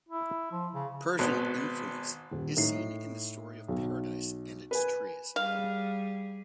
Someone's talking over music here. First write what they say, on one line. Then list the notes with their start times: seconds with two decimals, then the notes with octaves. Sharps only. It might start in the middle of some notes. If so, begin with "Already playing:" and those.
Persian influence is seen in the story of Paradise and its trees.
0.09 E4
0.51 F3
0.73 C#3
1.19 G#1 B2 B3
2.31 D#1
2.57 A2 D#4 C7
3.68 B1
4.71 B4 G#5
5.36 G3 G#4 F5